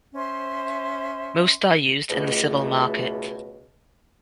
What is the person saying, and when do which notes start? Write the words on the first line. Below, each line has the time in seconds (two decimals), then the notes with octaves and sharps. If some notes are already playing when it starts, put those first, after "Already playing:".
Most are used in the civil market.
0.14 C#4 C5 E5 C6
2.09 C#2 B2 A3